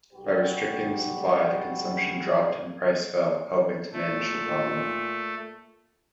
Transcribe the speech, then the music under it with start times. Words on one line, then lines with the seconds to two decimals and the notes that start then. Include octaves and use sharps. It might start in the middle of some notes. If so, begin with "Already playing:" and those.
By restricting supply the consumption dropped and price fell helping to manage the problem.
0.14 B1 G3 F#4 G4 B4
3.92 A#2 A3